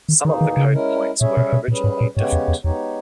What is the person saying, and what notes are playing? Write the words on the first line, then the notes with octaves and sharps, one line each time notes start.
Some of the code points were originally different.
D#3
E2 B2 D#3 A#3 D#4 G#4
D#3
C#3
G#3 C#4 E4 A#4
A#2 G3 C#4 G#4 C#5 E5
B2
B2
A#2 G3 C#4 G#4 B4
G#2
A#2
G#2 C#3 G#3 B3 G4 C#5
E2
E2
E2 G#3 B3 D#4 G4 C#5